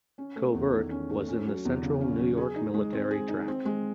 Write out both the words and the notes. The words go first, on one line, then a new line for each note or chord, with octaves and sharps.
Covert was in the Central New York Military Tract.
C#4
A3
E2
D#3
C#4
A3
C#4
F#3
E2
C#3
C#4
F#3
G#4
D#4
G#3
C4
G#4
D#4
C4
G#3